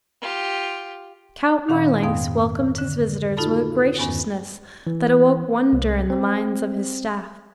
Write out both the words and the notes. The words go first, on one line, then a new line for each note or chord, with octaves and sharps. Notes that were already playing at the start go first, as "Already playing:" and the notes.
Count Marlanx welcomed his visitors with a graciousness that awoke wonder in the minds of his staff.
F4 G4
A#2 D#3 C#4 F5 F#5 B5
F2 G#2 B3 F5 G5 D#6
D3
D#4 F4 F#4 A4 A5 B5
E2 G2 D#3 B3 C#4 G#5
E3
C2
C4